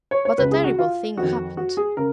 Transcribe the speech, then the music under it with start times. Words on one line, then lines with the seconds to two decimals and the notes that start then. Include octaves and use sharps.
But a terrible thing happened!
0.11 C#5
0.25 C#5
0.38 C#2 C#3 B4
0.51 G#4
0.64 F#4
0.79 F4
1.17 F2 D#3 F#4
1.57 F#4
1.77 G#4
1.97 C#3 A#4